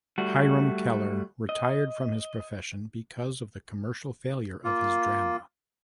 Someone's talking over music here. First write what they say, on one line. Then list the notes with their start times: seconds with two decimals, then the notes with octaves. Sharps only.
Hiram Keller retired from his profession because of the commercial failure of this drama.
0.18 G3 A3 F#4
1.49 D#5
4.64 A#3 F4